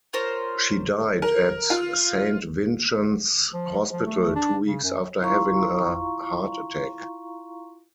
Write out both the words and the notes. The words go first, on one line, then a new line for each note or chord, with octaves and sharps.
She died at Saint Vincent's Hospital, two weeks after having a heart attack.
F4 A#4 C5 C#5
A#4
F4
F3
F3
A3
D4
C#3
F#2
E4 F4 F5 A#5 C6 C#6